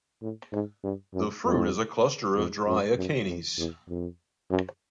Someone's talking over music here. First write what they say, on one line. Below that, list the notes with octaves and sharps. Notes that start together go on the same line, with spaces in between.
The fruit is a cluster of dry achenes.
A2
G#2
G2
F#2
F2
F2
F#2
F#2
F2
E2
F2
F#2